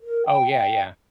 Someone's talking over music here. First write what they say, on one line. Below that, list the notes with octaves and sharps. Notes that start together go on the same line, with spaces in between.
Oh, yeah, yeah.
A#4
G5
G5